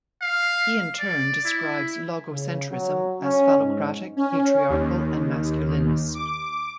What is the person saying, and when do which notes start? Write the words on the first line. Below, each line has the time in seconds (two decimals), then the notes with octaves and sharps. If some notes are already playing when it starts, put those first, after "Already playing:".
He in turn describes logocentrism as phallocratic, patriarchal and masculinist.
0.22 F5
0.99 D5
1.45 E4
2.32 C#3
2.72 F#3
3.22 C#4
3.61 G#2
4.17 C#4
4.69 D#2
6.14 D6